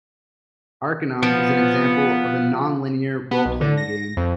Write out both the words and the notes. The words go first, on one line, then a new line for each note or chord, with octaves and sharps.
"Arcanum" is an example of a non-linear role-playing game.
F3 B3
B3
B1
D3
A#6
F2